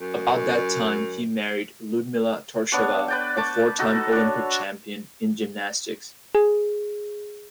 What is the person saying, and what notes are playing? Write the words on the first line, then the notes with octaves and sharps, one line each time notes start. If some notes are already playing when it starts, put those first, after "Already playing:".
About that time, he married Ludmilla Tourischeva, a four-time Olympic champion in gymnastics.
F#2
B3 D4 C#5
B4 D5 G5
A5 C#6 D6
D#4 F#4 A4
D4 C#5
G#4